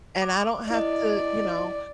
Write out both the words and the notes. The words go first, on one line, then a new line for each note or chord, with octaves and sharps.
and I don't have to, you know,
D6
E4 D5 D#5